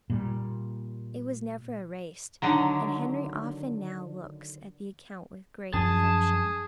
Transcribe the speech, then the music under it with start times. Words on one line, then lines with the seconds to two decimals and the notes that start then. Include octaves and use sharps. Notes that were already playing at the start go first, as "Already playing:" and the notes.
It was never erased, and Henry often now looks at the account with great affection.
0.10 A#2 G3
2.42 D3 D#3 F#3
5.74 F#2 F3 C#4 G#4 A5